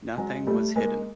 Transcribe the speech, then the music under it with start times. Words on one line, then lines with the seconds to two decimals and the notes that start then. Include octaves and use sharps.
Nothing was hidden.
0.18 F#3 G#3
0.47 G3 A3
0.76 G#3 A#3